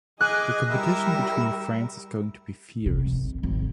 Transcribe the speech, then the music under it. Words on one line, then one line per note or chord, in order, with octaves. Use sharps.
The competition between friends is going to be fierce.
G#4 D#5 G#5 D6 F#6
G3 E4 A#4 E5
C3
G#1
G#1